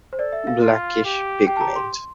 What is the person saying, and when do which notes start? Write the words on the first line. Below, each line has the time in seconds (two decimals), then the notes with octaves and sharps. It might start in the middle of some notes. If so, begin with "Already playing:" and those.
Blackish pigment.
0.13 C5
0.19 A4 D5
0.33 E5
0.47 F5
0.61 F4
1.05 G4
1.47 G4 G5
1.57 A5
1.61 A#5
1.76 C6